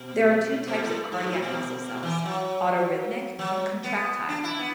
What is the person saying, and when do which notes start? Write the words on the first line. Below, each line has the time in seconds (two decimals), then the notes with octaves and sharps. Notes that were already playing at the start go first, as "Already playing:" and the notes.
There are two types of cardiac muscle cells: autorhythmic and contractile.
Already playing: B2
0.67 B2
0.82 A2
1.12 G#2
1.27 A2
1.42 B2
2.03 E3
2.25 F#3
3.39 F#3
3.84 B3
4.29 D4
4.44 E4
4.59 B3